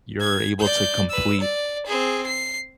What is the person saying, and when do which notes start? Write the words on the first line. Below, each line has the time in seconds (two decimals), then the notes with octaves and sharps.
you're able to complete,
0.20 G#6
0.60 D5 G6
1.10 B4 E6
1.41 D5
1.86 C4 G#4
2.27 C7